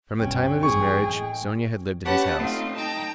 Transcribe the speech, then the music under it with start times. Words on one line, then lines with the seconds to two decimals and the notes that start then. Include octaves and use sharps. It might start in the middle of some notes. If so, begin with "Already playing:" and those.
From the time of his marriage Sonya had lived in his house.
0.19 C2 G2 B2 C#4 G5
0.63 A1 F#2 C4 G#4 C#6
1.04 A2 G#3
2.04 C#4 G4 B4 C#5 F#5 A5
2.38 A3 C4 D#4 F4
2.75 D#4 G5 A5 A#5